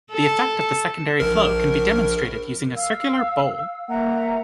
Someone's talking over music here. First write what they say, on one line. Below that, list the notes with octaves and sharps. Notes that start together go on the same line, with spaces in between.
The effect of the secondary flow can be demonstrated using a circular bowl.
A4
A#1 A#4
F5 E6
A#3 E5 F#5 A#5